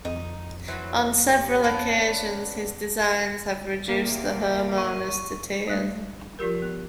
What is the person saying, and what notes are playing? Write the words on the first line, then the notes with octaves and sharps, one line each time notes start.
On several occasions, his designs have reduced the homeowners to tears.
F2 D#4
E3 F#3 C4
C#4 G4
B3 C#4 D4
E2 C3 A#3
C#6
G3 A3
F3 F4 G4 A#4
B3